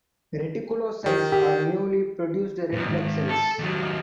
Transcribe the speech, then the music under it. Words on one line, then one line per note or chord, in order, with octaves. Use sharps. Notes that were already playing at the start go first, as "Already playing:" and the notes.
Reticulocytes are newly produced red blood cells.
D#3 G4
G4
F#2 A#2
G#2 D#3
A4
D#2 F#3